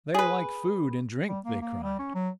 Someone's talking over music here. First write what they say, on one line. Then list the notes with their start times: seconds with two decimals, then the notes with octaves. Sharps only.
"They are like food and drink," they cried.
0.14 G#4 B4
1.28 G3
1.44 A#3
1.62 A#3
1.83 G3
1.99 C#4
2.15 F#3